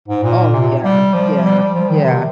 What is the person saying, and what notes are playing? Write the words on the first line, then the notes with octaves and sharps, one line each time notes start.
Oh, yeah, yeah, yeah.
G#2
A#2
C3
G3
F3
G3
G3
F3
D#3
C3